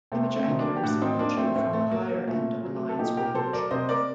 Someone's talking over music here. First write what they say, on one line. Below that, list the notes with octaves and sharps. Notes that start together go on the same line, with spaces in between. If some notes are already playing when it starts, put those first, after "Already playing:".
Image anchors are usually from the higher end of the line's range.
C3 A3 C4
A3 C4
D#3 F#3 D#4
A#3 D4
G4
A2 D4 F#4
C4 D#4
F#3 A#3 D4
A3 C4
A2 A3 C4
A3
F#3 A#3
A#3
A#2 A3
F#3
A3
A4
A#2 D#4 G4
G4 A#4
F#3 A4 C5
A#4 D5
C3 C5 D#5
A#4 D5